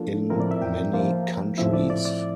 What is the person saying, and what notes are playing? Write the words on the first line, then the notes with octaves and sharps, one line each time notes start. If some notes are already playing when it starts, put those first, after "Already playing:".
In many countries.
Already playing: F3 A#3 D4 F4 A4
A2 F3 C4 E4 A#4
D5
E5
G5
F3 A#3 F4
A2 F3 C4 E4 E5
D5
D5
D5